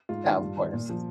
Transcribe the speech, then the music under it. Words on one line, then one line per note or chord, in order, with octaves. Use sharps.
Yeah, of course.
G#2 F4
D#3
G2
D#3
A#2
F3